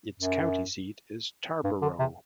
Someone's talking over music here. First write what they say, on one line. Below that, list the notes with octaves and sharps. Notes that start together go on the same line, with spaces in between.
Its county seat is Tarboro.
F#2
G2
D3
C3